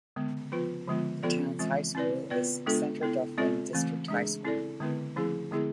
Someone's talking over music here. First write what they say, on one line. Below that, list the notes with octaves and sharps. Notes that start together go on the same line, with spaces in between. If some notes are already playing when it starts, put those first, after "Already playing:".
The town's high school is Centre Dufferin District High School.
D3 G#3 B3
F3 B3 F4 B4
D3 F3 G#3 B3 F4
F3 B3 F4 A4 D5
E3 G#3 C4 F4
C4 E4 B4 D5
B3 F4 B4 D5
G#3 B3 D4 F4 A4
B3 E4 A4
G#3 C4 F4 A4 D5
E3 A3 C4
G#3 D4 G#4
C4 E4 A4 D5
D3 G#3 B3 E4 B4
F3 A3 C4 E4 G#4
D3 G#3 B3 E4 G#4